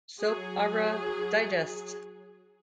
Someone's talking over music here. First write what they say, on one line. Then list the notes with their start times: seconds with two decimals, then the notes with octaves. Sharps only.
"Soap Opera Digest".
0.20 F#3 G#4